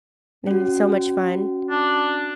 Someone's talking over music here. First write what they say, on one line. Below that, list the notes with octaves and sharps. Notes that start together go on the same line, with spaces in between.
and it's so much fun.
C#4 F#4
D4